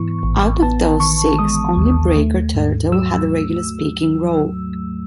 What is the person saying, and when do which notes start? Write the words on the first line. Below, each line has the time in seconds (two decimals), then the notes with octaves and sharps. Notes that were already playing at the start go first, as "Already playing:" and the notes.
Out of those six, only Braker Turtle had a regular speaking role.
Already playing: G#2 E3 B3 C#6
0.23 A1
0.62 B3 A5
1.00 D#3 C#6
1.39 G#3 D#6
1.77 D#2
2.16 A3
2.55 G#2
2.92 F#3 E6